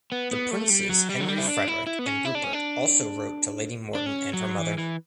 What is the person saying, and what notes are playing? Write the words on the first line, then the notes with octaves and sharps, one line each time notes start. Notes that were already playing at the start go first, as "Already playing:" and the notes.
The princes Henry Frederick and Rupert also wrote to Lady Morton and her mother.
B3
B3
A3
G3
F#3
G3
F#3
G3
E4
D4
E4
E4
B3
C#4
E4
D4
C#4
D4
D4
C#4
F#3
E3
E3